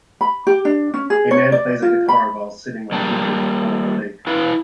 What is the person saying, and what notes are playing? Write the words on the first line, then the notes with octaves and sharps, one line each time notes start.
A man plays a guitar while sitting on bleachers in front of a lake.
B5
G4
D4
C#4
G#4
C#5
D5
F4
B5
G3 A#3 A5
E4 B4 F5